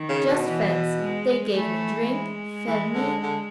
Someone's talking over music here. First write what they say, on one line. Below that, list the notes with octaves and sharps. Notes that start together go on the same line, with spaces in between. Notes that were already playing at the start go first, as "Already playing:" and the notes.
Just fancy, they gave me drink, fed me!
Already playing: D#3
C#3
B2
E3
G#3
E3 A3
G#3
E3
D3
D3